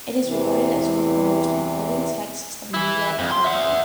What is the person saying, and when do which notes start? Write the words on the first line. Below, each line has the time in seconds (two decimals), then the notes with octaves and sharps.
It is regarded as one of the most important texts of media ecology.
0.23 E2 C3 E3
2.74 E3 E4
3.19 F2
3.32 C6
3.44 E5 F#5